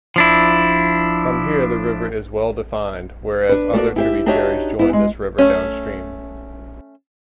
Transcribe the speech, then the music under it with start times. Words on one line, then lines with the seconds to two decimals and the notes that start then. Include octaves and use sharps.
From here the river is well defined, whereas other tributaries join this river downstream.
0.16 F3 D4 E4
3.49 D4 B4
3.73 A3 A#3 F#4 D5
3.96 E4 G4 E5
4.26 D4 D#4 F#4 G4 C#5 E5
4.79 B3 E4
4.93 G#3
5.38 A3 C#4